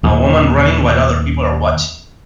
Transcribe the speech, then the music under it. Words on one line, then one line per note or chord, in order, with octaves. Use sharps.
A woman running while other people are watching.
D#2 A#2 F#3